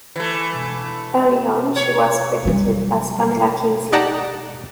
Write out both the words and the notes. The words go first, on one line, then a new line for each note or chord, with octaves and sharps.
Early on she was credited as Pamela Kingsley.
E3 A3
C#5
F#3 G3
D#4 G4 D5 F#5 A5 A#5